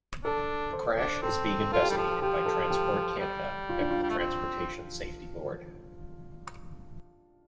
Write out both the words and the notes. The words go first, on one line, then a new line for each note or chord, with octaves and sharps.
The crash is being investigated by Transport Canada and the Transportation Safety Board.
D4 A4
C5
D4
C4 A4
F4 A4
G4
G3 A4
F3
F3 G4
A4
G4
G3
F4
D4
F4
G3
A3
C4